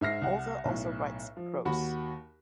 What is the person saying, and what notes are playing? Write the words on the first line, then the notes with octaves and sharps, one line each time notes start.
Author also writes prose.
G#2 E5 F6 A#6 C7
C2 F#5
B1 A2
F3
D#2 F#4 B5